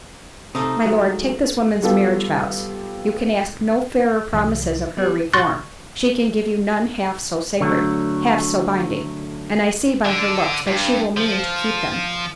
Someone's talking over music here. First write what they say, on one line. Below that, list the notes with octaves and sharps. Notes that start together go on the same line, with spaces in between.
My Lord, take this woman's marriage vows--you can ask no fairer promises of her reform--she can give you none half so sacred, half so binding; and I see by her looks that she will mean to keep them.
C3 F3 A3 D#4
F#3 G#3
G3 B3 F4 G4 A4
C2 E3 F#3
G3 B3
C6 C#6 F#6 A6 A#6
D3 F#3 A3
D3 D4
G2
F3